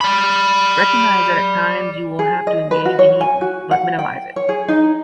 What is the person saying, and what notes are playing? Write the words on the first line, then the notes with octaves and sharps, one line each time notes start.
Recognize that at times you will have to engage in evil, but minimize it.
D5 B5
G#4
D#5
B4
F#4
C#5
G#5
F#4
F#5
G5
C#5
G#4
D#4